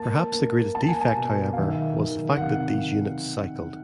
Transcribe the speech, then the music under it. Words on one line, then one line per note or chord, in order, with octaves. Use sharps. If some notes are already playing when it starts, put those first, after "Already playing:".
Perhaps the greatest defect, however, was the fact that these units "cycled".
Already playing: A#3 A5
A#3
A#3 A5
G#5
A5
B2
F5
D#3 E5
D#3
F#5
C3 F5